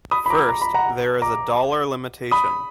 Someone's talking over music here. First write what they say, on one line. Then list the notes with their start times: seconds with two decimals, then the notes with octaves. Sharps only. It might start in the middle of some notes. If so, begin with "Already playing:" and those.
First, there is a dollar limitation.
0.11 B5 D#6
0.26 B5
0.30 A#5 D6
0.49 A#5
0.62 B5
0.74 F#5 A#5
1.22 A#5 D6
2.31 B5 D#6